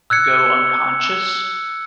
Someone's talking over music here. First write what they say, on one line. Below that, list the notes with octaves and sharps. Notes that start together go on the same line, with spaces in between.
go unconscious?
E6 F#6 G#6 C#7